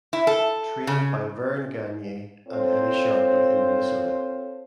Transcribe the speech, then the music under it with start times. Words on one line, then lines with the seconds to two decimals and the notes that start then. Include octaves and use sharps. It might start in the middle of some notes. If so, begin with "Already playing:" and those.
Trained by Verne Gagne and Eddie Sharkey in Minnesota.
0.13 E4
0.27 A4
0.87 C#3
2.49 C4 F4 A4 C5 C#5